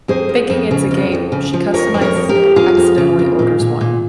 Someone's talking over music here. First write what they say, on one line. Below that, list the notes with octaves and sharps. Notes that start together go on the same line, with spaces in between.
Thinking it's a game, she customizes and accidentally orders one.
F2 G#4 C5
F2
F2
C#3
F2
F2
C#3
F3
F2 A#4 C#5
F2
A#4 C#5
F2
G4 A#4
F2
F2 F4 G#4
F2
C#3
F2
A#2
A#2
A#2